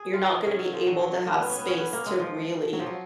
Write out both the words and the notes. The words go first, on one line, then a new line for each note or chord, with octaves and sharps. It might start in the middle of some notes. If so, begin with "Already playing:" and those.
you're not gonna be able to have space to really,
Already playing: G#4
F4
D#4
C#4
F#3
F3
F#3
F#3
F#3
A#3
B3
C#4
B3
C#4
B3
A#3
G#3
F3
F#3
F3
F#3